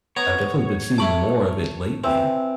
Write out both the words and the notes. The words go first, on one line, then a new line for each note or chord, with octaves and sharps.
I've definitely been seeing more of it lately.
B3 C#5 A#5
A3 A5 B5 C#6 D6
E3 C4